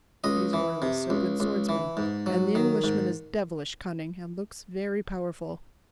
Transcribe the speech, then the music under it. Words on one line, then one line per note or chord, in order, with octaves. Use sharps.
These royalists are good swordsmen, and the Englishman is devilish cunning, and looks very powerful.
C#2 D#5
E3
C3
C#2
C#2
E3
G#2
F#3
D#3
G#2